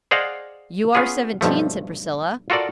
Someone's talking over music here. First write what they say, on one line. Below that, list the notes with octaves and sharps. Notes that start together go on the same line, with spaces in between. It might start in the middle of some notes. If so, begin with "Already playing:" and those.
"You are seventeen," said Priscilla.
G#4 C5 D5 D#5 F5 F#5
B3 C#4 F4 G#4
B1 G2 F3 A3
F4 F#4 A4 A#4 D5